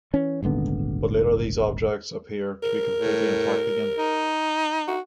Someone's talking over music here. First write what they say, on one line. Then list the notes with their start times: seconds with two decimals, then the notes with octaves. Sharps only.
But later these objects appear to be completely intact again.
0.13 E3 C#4
0.43 D#1 G#1 D3 B3
2.63 A#4
2.99 A2
3.98 D#4
4.88 F#4